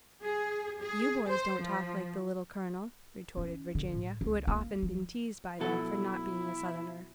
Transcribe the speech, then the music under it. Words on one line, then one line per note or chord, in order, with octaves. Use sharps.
"You boys don't talk like the Little Colonel," retorted Virginia, who had often been teased by them for not being a Southerner.
G#4
G#4
C5
F3
C#4
D3
A2
C#2
A#3
F3
B2 F#3 E4 A4